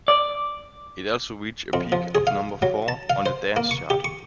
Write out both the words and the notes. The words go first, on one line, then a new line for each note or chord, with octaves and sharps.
It also reached a peak of number four on the Dance chart.
D5
F2
F3
G#4
F5
F#3
A5
F5
C5
A#3
C#6
G4
C#6